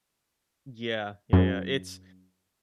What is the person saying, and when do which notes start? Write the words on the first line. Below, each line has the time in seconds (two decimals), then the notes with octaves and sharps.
Yeah. Yeah, yeah. It's
1.33 F#2